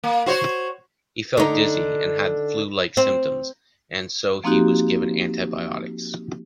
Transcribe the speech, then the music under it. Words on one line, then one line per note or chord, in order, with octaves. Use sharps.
He felt dizzy and had flu-like symptoms, and so he was given antibiotics.
A#3
F#4 C5 C#5
D3 D#4
C4
F3 A#3 C4 D#4 F#4 G4